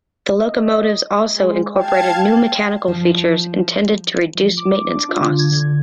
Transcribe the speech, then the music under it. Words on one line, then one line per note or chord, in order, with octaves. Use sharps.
The locomotives also incorporated new mechanical features intended to reduce maintenance costs.
D#5
G#3
F5 G5 A5 G#6
F3
F3
D6
D6
D4
F4
D3
G#6
D3